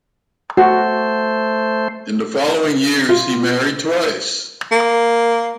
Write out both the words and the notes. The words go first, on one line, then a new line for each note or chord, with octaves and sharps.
In the following years he married twice.
A3 F#4 C5
F4
A#3